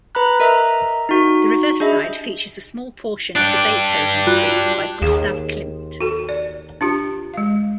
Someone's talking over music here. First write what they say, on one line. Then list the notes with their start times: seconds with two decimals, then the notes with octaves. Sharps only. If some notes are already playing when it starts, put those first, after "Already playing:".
The reverse side features a small portion of the "Beethoven Frieze" by Gustav Klimt.
0.15 B4 A#5 B5 F#6
0.40 A#4 D#5 E5 A#5 E6
1.09 D#4 F#4
1.80 D4 G#4 D#5 E5 B5
3.36 D4 G4 F#6 A6 D7
4.27 F4 F#4 F#6
5.02 D#2 G#4 F5
6.01 F#4 A4
6.29 D5
6.81 D4 F4 G4
7.34 G#3 F5